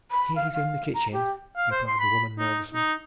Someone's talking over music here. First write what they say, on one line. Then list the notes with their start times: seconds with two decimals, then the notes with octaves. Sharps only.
"He's in the kitchen," replied the woman nervously.
0.11 B5
0.36 F5
0.53 F5
0.94 A#5
1.12 G4
1.57 F5
1.71 C5
1.87 C6
2.00 B5
2.38 D#4
2.74 D#4